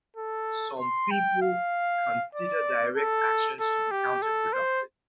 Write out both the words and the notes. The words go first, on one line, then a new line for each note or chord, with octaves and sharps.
Some people consider direct actions to be counter-productive.
A4
C6
G5
F5
D5
A4
A4
G4
A4
C5